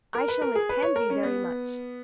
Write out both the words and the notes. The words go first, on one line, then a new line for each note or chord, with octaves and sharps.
"I shall miss Pansy very much."
A#4
B4
A#4
G#4
B4
C#5
A#4
C#4
B3